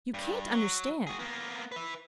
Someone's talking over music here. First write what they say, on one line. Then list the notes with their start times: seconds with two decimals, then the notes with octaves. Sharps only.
You can't understand.
0.14 G2
0.51 F#3
1.07 F#4 G#4
1.19 A#3 B3
1.72 B4 E5